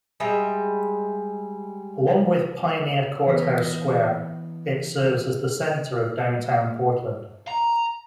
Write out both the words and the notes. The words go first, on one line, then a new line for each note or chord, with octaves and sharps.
Along with Pioneer Courthouse Square, it serves as the center of downtown Portland.
G3 G#3 D#5 E5
E3 B3 D#5 A#6 B6
A#5